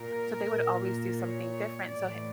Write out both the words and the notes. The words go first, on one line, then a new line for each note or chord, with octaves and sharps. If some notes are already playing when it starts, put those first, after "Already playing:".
so they would always do something different, so h
Already playing: A#2 A#4
A#2
C#5
A2 E3 D5